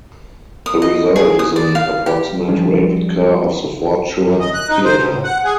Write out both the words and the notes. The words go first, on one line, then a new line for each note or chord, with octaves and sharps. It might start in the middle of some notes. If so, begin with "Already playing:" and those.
The result is an approximate replica of the Fortune Theatre.
D#6
D#5
G#4
D#6
D5
F5
G4
F3 G3 G#3 C#4 D4
F#2
D#5
F#6
D#4
C5
B2
A2
F#5
G#4